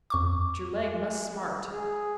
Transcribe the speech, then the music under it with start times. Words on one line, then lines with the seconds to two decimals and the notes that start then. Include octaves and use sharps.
"But your leg must smart."
0.10 F2 C#6 D6
0.74 G#3
1.69 G#4